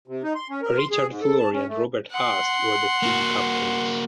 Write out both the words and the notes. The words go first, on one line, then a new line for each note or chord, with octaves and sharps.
Richard Flory and Robert Hast were the team captains.
C3
D#4
C6
C#4
A#4
C6
G#4
G#2
A4
A5
C#4
A3
F#5 C6
A#3 F#4